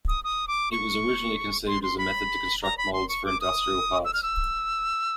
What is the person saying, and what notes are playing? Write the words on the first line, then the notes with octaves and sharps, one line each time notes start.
It was originally conceived as a method to construct molds for industrial parts.
D#6
D#6
D6
C#6
C6
C6
B5
A#5
B5
C6
C#6
D6
D#6
E6
F6
E6